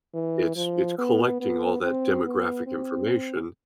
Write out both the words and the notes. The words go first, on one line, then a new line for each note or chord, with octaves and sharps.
it's it's collecting all that demographic information.
E3
F3
B3
B3
C4
B3
C4